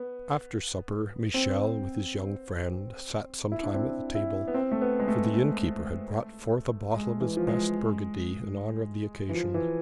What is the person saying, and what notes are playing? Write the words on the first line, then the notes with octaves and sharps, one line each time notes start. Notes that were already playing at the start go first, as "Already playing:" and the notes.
After supper Michel with his young friend sat some time at the table, for the innkeeper had brought forth a bottle of his best Burgundy in honour of the occasion.
Already playing: B3
C4
E4
D4
C4
E4
B3
C4
A3
B3
G#3
A3
A3
G#3
E3
F3
G#3
E3
F3
E3